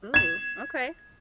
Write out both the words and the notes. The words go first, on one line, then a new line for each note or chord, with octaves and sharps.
Ooh, okay.
G#6 E7